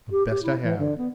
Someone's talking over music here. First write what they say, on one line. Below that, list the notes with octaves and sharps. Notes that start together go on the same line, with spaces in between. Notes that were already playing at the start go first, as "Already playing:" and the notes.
"The best I have."
G4
G4
E4
E3
D3
B3